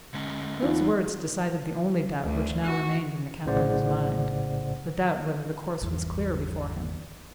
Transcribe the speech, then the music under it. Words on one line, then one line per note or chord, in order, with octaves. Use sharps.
Those words decided the only doubt which now remained in the captain's mind--the doubt whether the course was clear before him.
D3 G#3 C#4
E2 D#4 F4
D2
F#4
A#1 A2 C#3 C5 D5 F#5
G#1 E2 G2